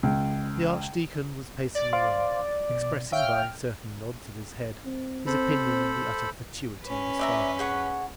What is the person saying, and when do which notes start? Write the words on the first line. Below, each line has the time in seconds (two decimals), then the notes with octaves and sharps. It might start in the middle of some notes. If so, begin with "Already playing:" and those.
The archdeacon was pacing the room, expressing, by certain nods of his head, his opinion of the utter fatuity of his father-in-law.
0.03 C#2
1.75 D5
1.93 C5 F5 C6
2.69 B2
3.12 C#5 E5 F5 G5 F6
4.85 C4
5.27 C4 A4 C5 B5
6.84 C#4 B4
7.19 D5 E5 A#5
7.59 G#4 F#5 C#6